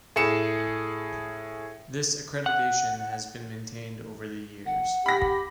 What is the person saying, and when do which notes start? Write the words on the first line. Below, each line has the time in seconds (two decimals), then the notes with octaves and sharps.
This accreditation has been maintained over the years.
0.16 A2 G#4 C#7 E7
2.46 F#5
4.66 F#5
5.06 G4 B5 A#6